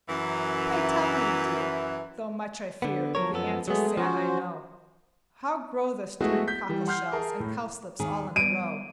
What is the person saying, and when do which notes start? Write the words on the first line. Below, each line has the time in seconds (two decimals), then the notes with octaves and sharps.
"Pray tell me, dear, though much I fear The answer sad I know, How grow the sturdy cockle-shells And cowslips, all in a row?"
0.09 F#2 E3
2.82 D3 B3
3.15 F3 F#3 A#4 C#5
3.33 F#2 B3 A4
3.68 F#3 G#3 A3 B3 G#4
3.97 F3 C#4 F#4 C5
6.21 G#3 A3 B3 E4 F#4 G#4
6.48 G6 B6
6.69 E3 G3
6.87 F#5 C6 F6 G6 C7
7.12 G#4 A#4 A5
7.40 A2
8.00 D#2 D#3 G#4
8.36 G3 B3 D7 D#7